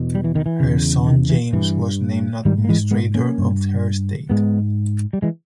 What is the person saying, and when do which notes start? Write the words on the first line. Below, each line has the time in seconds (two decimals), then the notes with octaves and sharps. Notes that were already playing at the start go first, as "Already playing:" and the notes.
Her son James was named administrator of her estate.
Already playing: E2 B2
0.15 G3
0.24 E3
0.35 D#3
0.46 E3
0.60 E2 C#3
1.07 D#3
1.29 E3
1.53 G2 E3
2.45 G#2 D#3 G3
2.65 A#3
2.69 E3 G#3
2.91 G#3 B3
3.15 A#3 C#4
3.38 G2
4.30 G#2 G#3 B3
5.13 G3
5.22 E3 G#3